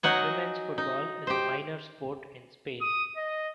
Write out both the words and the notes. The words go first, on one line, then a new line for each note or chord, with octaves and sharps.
Women's football is a minor sport in Spain.
F#3 D#4 F#5 G#5
D#4
G4 C5
D#6
D#5